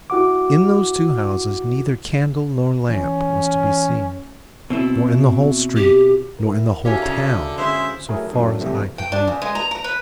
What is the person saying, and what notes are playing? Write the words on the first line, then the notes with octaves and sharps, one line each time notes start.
In those two houses neither candle nor lamp was to be seen; nor in the whole street; nor in the whole town, so far as eye could reach.
E4 F#4 F#5 D6
E3 C#4
B2 C4 E4
G4
E4 A#4
D3 E4 F#4 G4 C#5 F5 G#5
C#3 C#5 A#5
D3 G#3 C#4 E4 C5 E5
F#3 A3 E4 G#4 A#4
F#2 A2 F#3 D4
G2 C3 E3 F3 G3 A3
G5
D4
C#3
G#3
A#5
A#5
B4